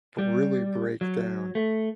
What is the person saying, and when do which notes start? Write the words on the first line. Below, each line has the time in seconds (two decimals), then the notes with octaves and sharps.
but really break down
0.18 G3
1.01 F#3
1.55 A3